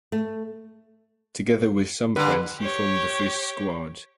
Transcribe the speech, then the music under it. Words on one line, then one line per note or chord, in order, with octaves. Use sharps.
Together with some friends he formed the first squad.
A3
G2 D3 B4
G4 C#5